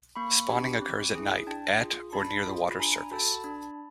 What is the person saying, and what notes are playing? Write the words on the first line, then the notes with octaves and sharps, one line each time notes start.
Spawning occurs at night, at or near the water's surface.
A#3 B5 C#6
D4 G4
C4
E4 G#4
D4 G5 A5
F4 G#4
D4 A5 B5
F4 G#4
B5
D4 G#5 A#5
F#4 A4 A5 B5
D4